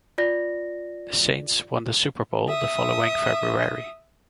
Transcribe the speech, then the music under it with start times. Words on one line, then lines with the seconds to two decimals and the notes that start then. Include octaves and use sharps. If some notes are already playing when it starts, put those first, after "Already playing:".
The Saints won the Super Bowl the following February.
0.18 F4 D5 A#6
2.48 E5 D#6